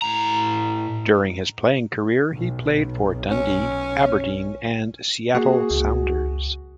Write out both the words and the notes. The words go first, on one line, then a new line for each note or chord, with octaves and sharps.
During his playing career he played for Dundee, Aberdeen and Seattle Sounders.
A2 A#5
B1
C#4
A#3 F#4 G#4
C#2